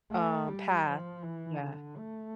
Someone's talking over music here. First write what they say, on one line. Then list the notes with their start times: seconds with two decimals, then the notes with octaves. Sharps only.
uh, path. Yeah.
0.11 A3
0.48 G3
0.86 F3
1.23 E3
1.60 D3
1.97 A3